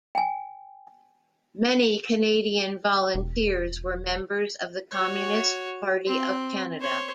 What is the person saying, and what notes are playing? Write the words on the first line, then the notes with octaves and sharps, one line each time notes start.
Many Canadian volunteers were members of the Communist Party of Canada.
G5 G#5
E1
F#4 C#5
C4
C5 C#5